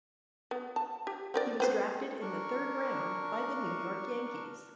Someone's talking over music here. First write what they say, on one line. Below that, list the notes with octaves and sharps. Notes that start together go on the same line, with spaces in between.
He was drafted in the third round by the New York Yankees.
B3
A5
G4
C4 A#4 D5
C4 B4 C5
D4 A#4 C#6